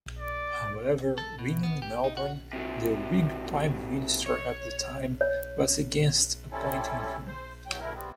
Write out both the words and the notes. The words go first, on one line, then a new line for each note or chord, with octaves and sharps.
However, William Melbourne, the Whig Prime Minister at the time was against appointing him.
D5
A4
B2
B3
G4
D#4
F#4
C3 F#3
C#5
C#5
G3 C4 C#4 E4 A4
C5
E2 F#3 G5
G2 B2 D3 E4 A#4
G3 B3 C4